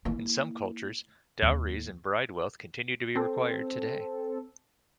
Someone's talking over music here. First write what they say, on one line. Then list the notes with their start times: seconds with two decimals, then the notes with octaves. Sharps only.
In some cultures, dowries and bridewealth continue to be required today.
0.05 A#3 E4
1.42 D#2
3.16 C4 A4